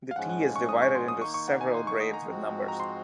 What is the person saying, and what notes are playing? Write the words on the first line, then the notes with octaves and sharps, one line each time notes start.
The tea is divided into several grades with numbers.
F5
G#2 F3 G#3 C#4 F#5
F#5
C#6
D#6
C#6
C6
D#6
D#3 A#3 D#4 C#6
C#6
F#5
G#5
C6
C#6
D#6
A#5
G#2 F3 G#3 C4 F#4
A#5
C6